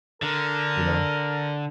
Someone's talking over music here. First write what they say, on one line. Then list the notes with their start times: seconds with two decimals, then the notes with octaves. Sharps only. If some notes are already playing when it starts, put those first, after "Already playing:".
you know,
0.22 D3 A#4